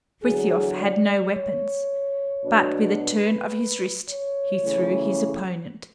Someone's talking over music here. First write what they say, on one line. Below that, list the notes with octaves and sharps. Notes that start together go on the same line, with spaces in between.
Frithiof had no weapons, but with a turn of his wrist he threw his opponent.
E2 D3 F#3 G#4
D5
C#5
B2 F#3 B3 D4
B4
C#5
C#3 E3 A3 C#4